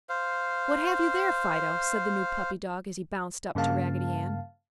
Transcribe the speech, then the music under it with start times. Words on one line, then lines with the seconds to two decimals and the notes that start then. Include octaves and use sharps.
"What have you there, Fido?" said the new puppy dog as he bounced up to Raggedy Ann.
0.09 C5 F5
3.55 G2 C#3 A#3 F5 A5